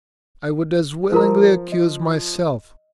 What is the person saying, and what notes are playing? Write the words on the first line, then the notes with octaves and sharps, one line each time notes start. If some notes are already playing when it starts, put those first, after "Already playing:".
I would as willingly accuse myself!
F3 F#4 A#4 A#5
D#5